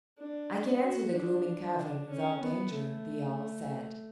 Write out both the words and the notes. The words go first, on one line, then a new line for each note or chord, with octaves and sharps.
"I can enter the gloomy cavern without danger," the owl said.
D4
F#4
D4
C#4
B3
A3